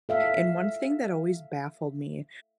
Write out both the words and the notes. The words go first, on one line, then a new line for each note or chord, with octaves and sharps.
And one thing that always baffled me
A4 E5 F5